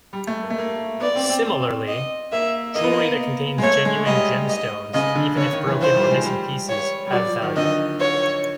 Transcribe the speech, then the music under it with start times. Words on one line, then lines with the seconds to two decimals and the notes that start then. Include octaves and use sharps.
Similarly, jewelry that contains genuine gemstones, even if broken or missing pieces, have value.
0.13 G3
0.27 A3
0.43 A#3
0.50 A3
0.58 A#3
1.00 B3 D5
1.16 C4
1.29 C4
1.44 C4
1.88 D#5
2.32 A#3 E5
2.75 A#3 D#5
2.84 B3
2.93 A#3
3.58 G#3
3.63 A3 C#5
3.85 G#3
4.06 G3 D#5
4.50 D#5
4.94 C#3 D#5
5.15 D3
5.37 D3 C#5
5.52 D#3
5.67 E3
5.81 F3 C5
5.96 G3
6.11 G#3
6.25 G3
6.69 C#5
7.07 G3
7.12 F#3 D5
7.26 F3
7.42 D#3
7.56 D3 D#5
8.00 C#5